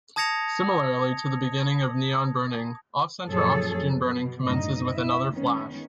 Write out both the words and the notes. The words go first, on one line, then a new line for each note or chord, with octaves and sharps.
Similarly to the beginning of neon-burning, off-center oxygen-burning commences with another flash.
A5 D#6 G#6 A#6 C#7 F7
F#2 A#2 F3 G#4 A4 C#5
B2
F#2 A2 D3 D#4 D#5
E4 E5
D#3 G#3 B3 C#4